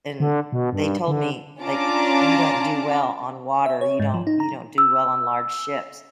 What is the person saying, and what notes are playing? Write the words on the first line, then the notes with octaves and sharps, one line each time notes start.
and they told me, like, "You don't do well on water, you don't you don't do well on large ships."
D3
B2
G2
D3
C#4 D4 F4 A5 A#5 D6
E5
C#5
G#2
F3
D#4
A#5
E6